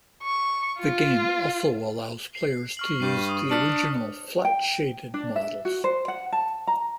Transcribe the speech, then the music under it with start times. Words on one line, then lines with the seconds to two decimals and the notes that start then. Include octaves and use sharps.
The game also allows players to use the original flat-shaded models.
0.23 C#6
0.80 F4
2.35 C7
2.77 C#6 F6 F#7
3.00 G2 C7 D#7
3.29 D#6
3.51 D4 F6 B6 C#7
4.45 G5
5.14 D4
5.36 E5
5.65 F#4
5.84 C5
6.08 F#5
6.33 A5
6.67 A#5